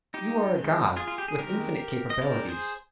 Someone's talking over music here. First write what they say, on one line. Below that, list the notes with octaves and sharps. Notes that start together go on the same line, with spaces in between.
You are a god, with infinite capabilities.
D#4 G4
D#3 G#3 C4
F4 G#4
F4
G4
G#4
D#3 G#3 C4 G4 A#4
D#5
D3 G#3 C4 A#4 D5
G#4 C5